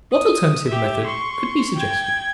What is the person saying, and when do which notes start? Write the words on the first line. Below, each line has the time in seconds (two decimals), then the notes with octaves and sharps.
What alternative method could be suggested?
0.12 D#6
0.67 G4 E5
1.06 C6 C#6
1.76 G5 G#6